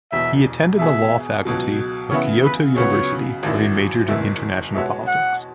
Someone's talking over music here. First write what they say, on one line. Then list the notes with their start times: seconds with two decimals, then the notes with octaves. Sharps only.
He attended the law faculty of Kyoto University, where he majored in international politics.
0.12 E1 E2 B2 E5
0.78 B2 B3 G#4 E5
1.45 C#2 B2 F#3
2.10 C#3 E3 B3 E4 C#5
2.44 B4
2.76 C#2 C#3 F#3 B3 C#5
3.43 G#1 F#2 F#3 E4
4.08 F#1 E2 E3 E5
4.75 B2 G#3 B3 F#4 C#5 E5
5.07 F#5